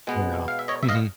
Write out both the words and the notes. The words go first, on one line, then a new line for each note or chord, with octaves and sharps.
Yeah. Mhm.
B2 G#3 B3
F5
E5
C#5 D#5
E5
D#5 F5